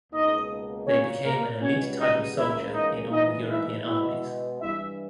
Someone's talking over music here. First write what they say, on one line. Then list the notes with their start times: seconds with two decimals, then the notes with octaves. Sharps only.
They became an elite type of soldier in all European armies.
0.12 C#2 B2 A#3 D#4 D#5
0.87 A#2 A#3 C#4 C#5
1.24 A#3 A#4
1.62 C#2 B2 G3 B3 C#4 C#5
1.99 D#4 D#5
2.36 C#2 C#3 E3 A#3 E4 E5
2.74 D#4 D#5
3.11 G#2 E3 A#3 D#4 D#5
3.49 E4 E5
3.86 B2 G#3 B3 E4 E5
4.61 G2 E3 G3 E4 E5